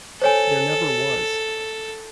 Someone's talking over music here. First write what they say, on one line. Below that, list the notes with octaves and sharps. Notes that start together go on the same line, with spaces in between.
There never was...
A4 C5 C#5 G#5